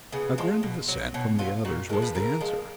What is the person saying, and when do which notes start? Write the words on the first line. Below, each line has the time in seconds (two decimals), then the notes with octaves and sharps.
A grunt of assent from the others was the answer.
0.12 C#3 B3
0.38 F3 G#3
0.63 B2
0.88 F#3
1.14 B2 C#4
1.39 F#3 F4
1.65 A#2 F#4
1.89 G#3 A#4
1.93 F3
2.02 B4
2.15 C#3 A#4
2.41 F3 G#3